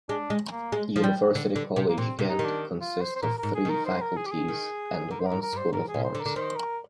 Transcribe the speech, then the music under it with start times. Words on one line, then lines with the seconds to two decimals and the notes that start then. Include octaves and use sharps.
University College Ghent consists of three faculties and one School of Arts.
0.09 G#3 D4
0.30 G#3
0.51 A#3
0.72 G#3
0.96 F3
1.04 G3
1.35 D3
1.56 D3
1.76 C3
1.89 A#3
1.98 A#2 C4
2.19 C3
2.29 D#4
2.39 D#3
2.45 D4
2.81 F4
3.01 C5
3.15 C5
3.22 A#2 A#4
3.38 A#4
3.43 G#2
3.55 G#4
3.65 D#3 A#4
3.86 C5
4.02 A#4
4.17 G#4
4.26 G4
4.32 G#4
4.48 D#3
5.11 D3 A#4
5.20 C5
5.27 G#2 A#4
5.42 A#4
5.53 G2
5.57 C5
5.73 G#2 A#4
5.88 G#4
5.94 A#2
6.04 C5
6.15 D3
6.20 A#4
6.25 D3
6.36 D#3 C5
6.56 A#4